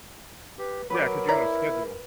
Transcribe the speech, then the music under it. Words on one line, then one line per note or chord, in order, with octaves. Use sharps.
Yeah, 'cause you're on a schedule.
G4 B4
F#3 A#4 B4 D6
E4 C#5 D5 A#5